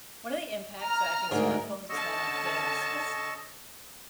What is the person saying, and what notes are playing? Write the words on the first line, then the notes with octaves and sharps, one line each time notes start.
one of the impacts that I think smartphones has had on kids 'cause
A#5 F6
D2 G#2 A#4
D3 C#4 D#5 A5 C#6 E6